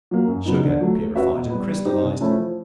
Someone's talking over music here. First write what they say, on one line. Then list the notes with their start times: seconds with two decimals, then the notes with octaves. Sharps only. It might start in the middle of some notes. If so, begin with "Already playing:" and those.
Sugar purified and crystallized.
0.11 F#3 A#3
0.28 F#2
0.46 C#3 F#3 B3 D#4
0.64 D3
0.81 F#3 A3
0.98 A3
1.15 C#4 F#4 B4 E5
1.34 B2
1.50 G3 B3
1.67 G3
1.85 C4 D#4 G4
2.03 C3
2.20 F3 A3 C#4 E4
2.38 F3